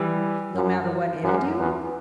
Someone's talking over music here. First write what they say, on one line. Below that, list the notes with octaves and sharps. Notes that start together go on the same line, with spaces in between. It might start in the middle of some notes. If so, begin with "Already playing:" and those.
"No matter what ailed you?"
Already playing: E3 G3
F#2
F#2
E2